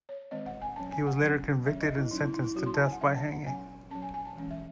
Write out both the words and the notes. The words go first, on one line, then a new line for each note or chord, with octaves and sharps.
He was later convicted and sentenced to death by hanging.
C#5
D#3 G#3 C4 D#5
F#5
G#5
F#3 C#4 A5
G#5
F#5
F#3 C#4
F#3 C#4 E5
D#5
E4
F#3 C#4 D#4
E4
D#4
E4
F#3 C#4 F#4
C6
A5
G#5
F#5
F#3 C#4 E5
A5
F#5
F#3 C#4 G#5
F#3 C#4 A5
G#5
G#5
A5
E3 G#3 C#4
E5